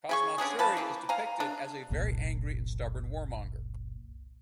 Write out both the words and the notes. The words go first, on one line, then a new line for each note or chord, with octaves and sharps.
Kazmatsuri is depicted as a very angry and stubborn warmonger.
C#3 G#4 C#6
D3 C#4 D4 G#4
F3 B4 A5
E3 A#3
F5 G#5 A#5
D4
F#1 C2 A#2